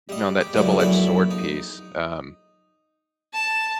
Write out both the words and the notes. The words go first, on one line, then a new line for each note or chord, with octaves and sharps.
you know, on that double-edged sword piece, um
G3 D#5
G4
C#2 F#2 D3 E4 F#4 D6
A#1 F#2 E3 A4 F#5 B5
D#4
A5